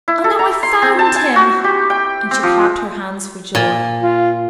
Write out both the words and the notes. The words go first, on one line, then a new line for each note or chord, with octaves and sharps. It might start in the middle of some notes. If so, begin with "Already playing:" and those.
"Oh, now I've found him!" and she clapped her hands for joy.
E4
A4
A#5
C6
C4
A5
G#5
F#4
G4
G5
C4
F3
A#2
F4